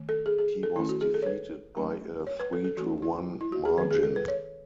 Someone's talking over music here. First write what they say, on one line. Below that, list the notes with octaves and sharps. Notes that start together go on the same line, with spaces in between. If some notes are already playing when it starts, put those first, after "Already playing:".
He was defeated by a three-to-one margin.
Already playing: D#3 A3
A4
G#4
G#4
A4
D#3 A3 C#4 E4
F#4
G#4
A4
C#5
B4
F#3 A3 C#4
C#5
B4
A4
A4
E3 A3 C#4 F#4
E4
E4
F#4
G#4
D#3 G#3 B3 B4
G#4
A4
B4
C#5